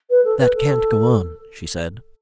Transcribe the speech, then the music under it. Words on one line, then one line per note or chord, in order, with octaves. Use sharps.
"That can't go on," she said.
B4
A4
B4
A4